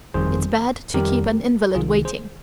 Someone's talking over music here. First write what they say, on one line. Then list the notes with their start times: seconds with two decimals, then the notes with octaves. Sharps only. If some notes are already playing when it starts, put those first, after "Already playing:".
It's bad to keep an invalid waiting.
0.14 G1 F2 D#3 G3 G#4 C5
0.94 F2 D#3 G3 G4 A#4
1.75 C2 C3 D#3 G3 F4 G#4
2.05 G#4 C5